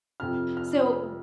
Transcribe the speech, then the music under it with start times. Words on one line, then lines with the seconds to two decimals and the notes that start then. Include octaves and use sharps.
So, w
0.20 F2 C3 F3 F6
0.57 F6